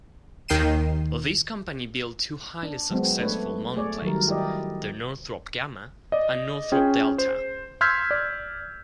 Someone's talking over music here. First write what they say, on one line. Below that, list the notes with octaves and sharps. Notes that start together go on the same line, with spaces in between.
This company built two highly successful monoplanes, the Northrop Gamma and Northrop Delta.
D#2 D#3 G5 C7 D#7 E7
D4
F#3 G#3 B3 C4 F#4
A3 D4 B4 C#5
A3 G#4 C#5 D5
D#3 F#3 G3 A#4
E4 G4 A#4 D5 D#5
D5 D#5
C#4 F4 G#4 G5
C5
C6 E6 F6 G6 G#6 B6
D5